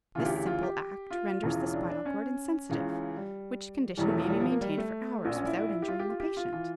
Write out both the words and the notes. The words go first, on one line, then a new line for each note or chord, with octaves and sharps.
This simple act renders the spinal cord insensitive, which condition may be maintained for hours without injuring the patient.
D2 C#3 E3 F4
G4
G4
F4
G4
F4
E1 E2 C#3 E3
D4
D4
C#4
C#2 C#3 E3
G3
E1 E2 E3 G3
A3
F3
G3
F3
A#3
G3
A3
A#1 A#2
C#4
E4
E4
G4
F4
G4
F4
G4
F4
E3 F4